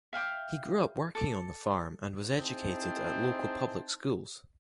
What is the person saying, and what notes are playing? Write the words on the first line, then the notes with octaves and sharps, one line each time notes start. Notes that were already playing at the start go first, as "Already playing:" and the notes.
He grew up working on the farm and was educated at local public schools.
E5 F5 G5 D6
A4 D6
C4 D#4 E4 G#4 C5 A5